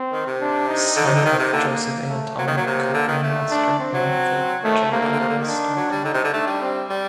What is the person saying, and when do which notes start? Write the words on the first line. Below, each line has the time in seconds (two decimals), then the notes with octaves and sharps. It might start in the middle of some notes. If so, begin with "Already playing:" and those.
Son of Joseph Anton, cooper master, and the Jakobea Stocker.
Already playing: C4
0.12 D#3
0.27 C3
0.41 D4
0.69 D#4
0.96 D3
1.06 C3
1.15 D3
1.25 D#3
1.39 C3
1.53 D3 A#3
2.10 A3
2.38 F#3 A#3
2.47 D#3
2.57 F#3
2.67 C3
2.94 D3
3.08 D#3
3.23 A3
3.51 D4
3.79 C4
3.93 F#3
4.64 D#3 A3
4.92 C3 A#3
5.01 D3
5.11 D3
5.20 C3
5.29 D3
5.39 D#3
5.49 D4
5.76 F#3
5.91 G3
6.04 D3 D#4
6.14 C3
6.24 D3
6.33 A3 D4
6.47 G3
6.61 C4
6.90 G3